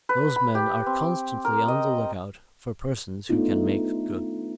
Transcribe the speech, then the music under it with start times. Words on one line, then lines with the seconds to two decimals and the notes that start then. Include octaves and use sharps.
Those men are constantly on the lookout for persons who can make good.
0.09 B4
0.36 B5
0.55 G4
0.86 C4
1.45 A#4
1.68 D#5
3.29 A3 B3 D4 D#4 F4